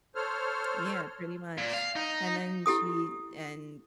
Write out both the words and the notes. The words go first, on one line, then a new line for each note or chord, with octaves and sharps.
Yeah, pretty much. And then she and
A4 C5 C#5 F6
A#2
F5
D#4
E4 G4 A4 D#6